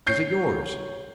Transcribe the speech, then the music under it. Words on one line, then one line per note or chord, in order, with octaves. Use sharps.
"Is it yours?"
C#5 G6 C7